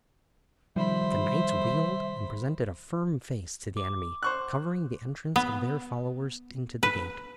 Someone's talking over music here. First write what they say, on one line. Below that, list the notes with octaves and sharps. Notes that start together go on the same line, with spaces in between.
The knights wheeled and presented a firm face to the enemy, covering the entrance of their followers into the gate.
C3 D#3 F3 G3 C5 E5 B5
D6
C5 C#6 F#6
B3
B4